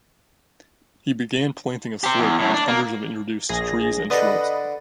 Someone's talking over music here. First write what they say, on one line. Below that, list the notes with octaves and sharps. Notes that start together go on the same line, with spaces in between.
He began planting a slope with hundreds of introduced trees and shrubs.
G4 C5
E2
F#2 A2
D4
A#3
A#1 G#4 A#6
D3 A4 B4 D#5